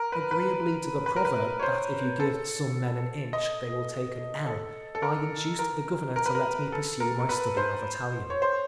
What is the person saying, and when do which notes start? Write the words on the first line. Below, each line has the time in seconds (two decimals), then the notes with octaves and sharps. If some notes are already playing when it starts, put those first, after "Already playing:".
Agreeably to the proverb that if you give some men an inch they will take an ell, I induced the Governor to let me pursue my study of Italian.
Already playing: A#4
0.12 B4
0.31 B4
1.06 B4
1.16 A#4
1.25 B4
1.59 C#5
1.63 C5
2.20 A4
3.33 D#5
4.46 A4
4.95 A4
5.02 A#4
5.59 A#4
6.16 A#4
6.26 B4
6.35 A#4
6.72 A4
7.00 A#4
7.20 A#4
7.29 B4
7.57 C5
8.30 C#5
8.42 C5